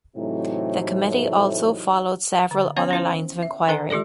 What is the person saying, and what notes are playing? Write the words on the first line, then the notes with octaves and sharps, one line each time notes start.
The committee also followed several other lines of inquiry.
A2 C3 E3 F#3 D#4
D3
B3 C#4 C#5 F5 G#5
C#4 E4 C5
E5
D#3 D4 A4 G#5 A#5
G#3 F4 G4 A4 D5